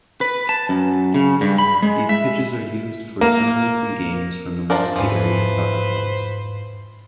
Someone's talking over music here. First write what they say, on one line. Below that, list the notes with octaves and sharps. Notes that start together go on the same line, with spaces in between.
These pitches are used for tournaments and games for Milwaukee area soccer clubs.
B4
A5
F#2
C#3
G2
B5
G#3
E5
A#3
F3 D4 A#4
E2 G#2 E3 F3 B4 C5